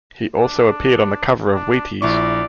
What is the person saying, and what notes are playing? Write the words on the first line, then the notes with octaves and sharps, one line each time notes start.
He also appeared on the cover of Wheaties.
D4
D4
A#1 E4 D5 C#6